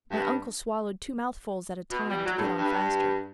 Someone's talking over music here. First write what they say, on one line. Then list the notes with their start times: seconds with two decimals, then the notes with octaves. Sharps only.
My uncle swallowed two mouthfuls at a time to get on faster.
0.11 G2
1.91 B2
2.09 G3
2.17 E3
2.25 F#3
2.38 A2
2.42 G2
2.58 G2